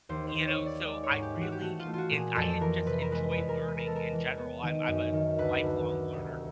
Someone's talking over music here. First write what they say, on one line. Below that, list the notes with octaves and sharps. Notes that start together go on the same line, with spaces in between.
you know? So I really and I just enjoy learning in general. I'm I'm a lifelong learner.
D#2 C5
C5
D#2
C#5
D#2
D5
G#3 D5
C#5
G#2
G4 G#4
E3
F#4
G4
A3 F#4
F4
A3
F4 F#4
A#2
G#4
F2 A4
E3 A#4
C3 B4
A#4
G#3 B4
B4
E2
A#4
G#3
B4
A#4
G#3 A4
A#4
E3
B3
D#3
F#2
D#3
D2 B4
D2
D2
C2